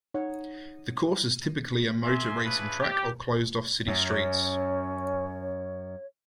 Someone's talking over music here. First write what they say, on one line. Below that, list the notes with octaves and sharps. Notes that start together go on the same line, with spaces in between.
The course is typically a motor racing track or closed off city streets.
D#4 C#5 F#5
A#3 F4 G#4 E5 G#5 C6
C#4 D4 E4 F4 G#4 B4
G4
F#2 C#4 C#5